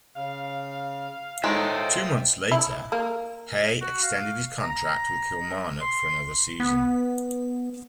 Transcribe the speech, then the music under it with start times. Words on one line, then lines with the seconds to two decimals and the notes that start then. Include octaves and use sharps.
Two months later, Hay extended his contract with Kilmarnock for another season.
0.16 C#3 F5
1.44 A2 D#3 G#3 F4 C5 E5 G5
2.52 E4
2.92 A#3
3.81 F#4
4.03 F5
4.63 A#5
5.82 C6
6.60 B3